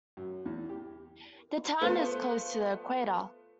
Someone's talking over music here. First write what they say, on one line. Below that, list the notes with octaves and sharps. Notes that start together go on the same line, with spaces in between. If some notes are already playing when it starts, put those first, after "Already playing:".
The town is close to the Equator.
F#2
E2
G4
A3 B3 F4 B4 C5